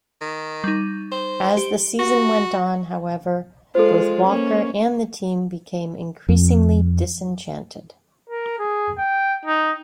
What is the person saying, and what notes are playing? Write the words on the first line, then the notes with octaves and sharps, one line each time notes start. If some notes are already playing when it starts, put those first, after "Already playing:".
As the season went on, however, both Walker and the team became increasingly disenchanted.
D#3
G3 D#4
C5
G4
F#4 A#6
G#3 F4 A4 C5
A#3 C#4
F2
A#4
G#4
G5
D#4